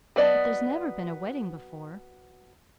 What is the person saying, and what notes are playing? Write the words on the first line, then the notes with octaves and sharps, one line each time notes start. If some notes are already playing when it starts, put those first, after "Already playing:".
But there's never been a wedding before.
F#3 B3 D5 D#5 A5